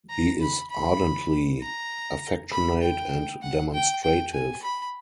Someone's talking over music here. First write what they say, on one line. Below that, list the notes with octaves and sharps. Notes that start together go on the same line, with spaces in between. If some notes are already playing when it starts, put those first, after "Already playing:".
He is ardently affectionate and demonstrative.
A#5
B5
B5
A#5
B5
G5
F#5
G5
G5
G#5
B5